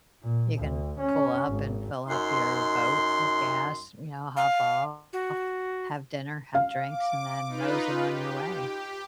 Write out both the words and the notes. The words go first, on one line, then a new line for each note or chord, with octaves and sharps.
you can pull up and fill up your boat with gas, you know, hop off, have dinner, have drinks, and then mosey on your way.
A#2
D2
C#4
G#1
F#2 D#4 C6
F5
F#4
F5
D6
D#4 F4 B4
G4